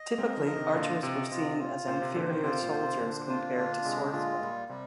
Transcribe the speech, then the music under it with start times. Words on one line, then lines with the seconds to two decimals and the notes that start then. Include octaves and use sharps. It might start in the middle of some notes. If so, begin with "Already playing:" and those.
Typically, archers were seen as inferior soldiers compared to swordsmen.
Already playing: D#5
0.18 G#3 C4 A#4
0.37 D3 F3
0.46 D#5
0.55 C3 D#3
0.74 A#2 D3 F4
1.02 C3 D#5
1.31 C3 F4
1.59 F4
1.87 A#2 C5
2.02 C3
2.15 A#2 D3 C5
2.29 C3 D#3
2.44 C3 F4
2.62 A#2
2.72 C5
2.81 C3
3.00 A#2 D3 D4
3.28 F4
3.56 A#2 D3 D4
3.84 C3 G#3
4.12 A#2 D3 F4
4.41 A#2 G3
4.69 C3 G3